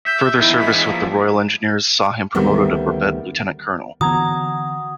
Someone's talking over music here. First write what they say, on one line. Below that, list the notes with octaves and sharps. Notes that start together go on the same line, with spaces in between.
Further service with the Royal Engineers saw him promoted a brevet Lieutenant-colonel.
E5 G6
E2 D#3 E4
E3 G#3 B6
F3 A#3
D2 D#3 G3 B3 C4
D3 E3 B3 F#4 A#5 D#6 G#6